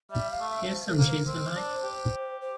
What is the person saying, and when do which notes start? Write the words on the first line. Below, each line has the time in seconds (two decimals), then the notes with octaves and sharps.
Here's some cheese you like.
0.11 G3 E5
0.31 F5
0.40 A3
0.49 E5
0.69 C5
0.87 A#4
0.92 A4
0.98 A#3
1.07 C5
1.11 A#4
1.26 C4 C5
1.55 D4
1.84 G4
2.41 C5